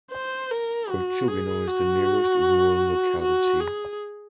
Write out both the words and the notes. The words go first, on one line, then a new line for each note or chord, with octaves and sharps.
Kolchugino is the nearest rural locality.
C5
A#4
F#4
G#4
F#4
F#4
G#4